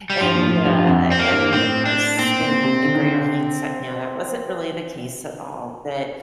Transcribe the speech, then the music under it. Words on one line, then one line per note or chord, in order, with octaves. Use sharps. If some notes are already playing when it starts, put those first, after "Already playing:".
and, uh and, of course, in in greater hindsight now, that wasn't really the case at all, but,
G3
G2 F3
A#2
A2
G2
F2
C4
A#3
G2
A2 C4
D4
A#2 C4
A#2
C3
D3
D#3
D3